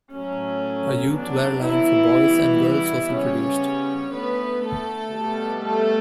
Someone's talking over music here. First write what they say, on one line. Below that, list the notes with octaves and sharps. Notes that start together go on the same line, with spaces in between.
A youth wear line for boys and girls was introduced.
A2 F#3 A3 C#4
D3 F#3 B3 D4
E3 E4
B2 G3 B3
C#3 G3 B3 C#4 C#5
D3 A3 B3 B4
A3 A4
B2 G3 B3
A3 A4